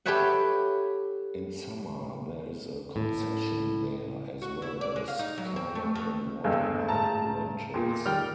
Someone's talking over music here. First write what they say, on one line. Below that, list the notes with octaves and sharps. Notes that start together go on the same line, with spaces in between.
In summer, there is a concession there as well as, kayak-and-water-bike rentals.
G4 A4 B4 C#5 E5 F#5
A2
F#4
E4
D5
G#3
F5
D#4
F#3
C4
A3
F2
E2 G2 G#3 A4 E6
A2 G#3 A5 A#5
E2 A#2 G5 C6
D#3 G3 G5 F6